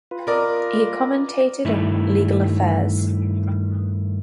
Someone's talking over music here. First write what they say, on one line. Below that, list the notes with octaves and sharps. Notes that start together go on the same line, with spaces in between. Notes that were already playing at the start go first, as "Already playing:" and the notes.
He commentated of legal affairs.
F4 B4
A#4 D5 D#5
G2 D#3 A3 E4